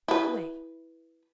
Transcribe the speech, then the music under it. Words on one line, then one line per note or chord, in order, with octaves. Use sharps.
Go away!
E4 B4